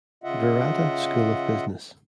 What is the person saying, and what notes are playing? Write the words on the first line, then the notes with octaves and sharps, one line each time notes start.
Virata School of Business.
C#3 F4 D#5 E5 F#5